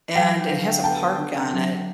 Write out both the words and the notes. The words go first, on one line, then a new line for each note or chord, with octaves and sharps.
and it has a park on it
F#3 F5 G5
D3
B3 G5 A5
D3
F#3